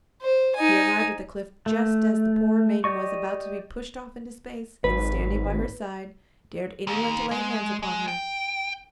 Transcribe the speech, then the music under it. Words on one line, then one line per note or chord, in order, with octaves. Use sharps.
He arrived at the cliff just as the poor maiden was about to be pushed off into space, and standing by her side, dared anyone to lay hands upon her.
C5
D#4 G#5
A3
G4 D5 D#5 C#6
G#1 B4
D#2
G#3
G#3
G5